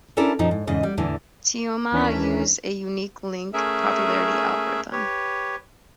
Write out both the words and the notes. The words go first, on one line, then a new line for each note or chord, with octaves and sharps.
Teoma used a unique link-popularity algorithm.
C#4 D4 E4 A4 A#4 D5
F#2 A#2 F3 D#4
G#2
E2 G#2 C#3 D#5
G3
E2 A2 D3 E3
D#2 E3 C#4 D4 A#4 B6
A3 C#4 G#4 A#4 E5
G4 B4 C#5